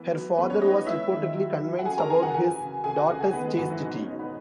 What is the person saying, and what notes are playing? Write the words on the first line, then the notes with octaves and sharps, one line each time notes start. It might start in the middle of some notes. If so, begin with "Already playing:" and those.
Her father was reportedly convinced about his daughter's chastity.
Already playing: E3 B3 E4
F#3
E2 B3 B4
C#4 C#5
G#3 D#4 D#5
G#3 E4 E5
D#3
F#3
F#3
F#5
F#2 G#4 G#5
A#4 A#5
F#2 G#4 G#5
F#4 F#5
E3 G#4 G#5
C#3
C#2 G#4 G#5
F#4 F#5
C#2 G#4 G#5
G#4 G#5
D#3 B3 B4
G#3 G#4
G#2 F#3 F#4
E3 E4
B2 D#4
C#4
G#3 D#4
B3 B4